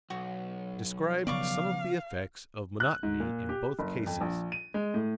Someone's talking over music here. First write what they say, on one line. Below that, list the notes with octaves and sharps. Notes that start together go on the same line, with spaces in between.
Describe some of the effects of monotony in both cases.
B1 F#4
C#3 F3 B3 D5 F5 C#6 D6
F#6
G#2
A#2
G4
F#1
F2
A#1
D#7
G#3
A2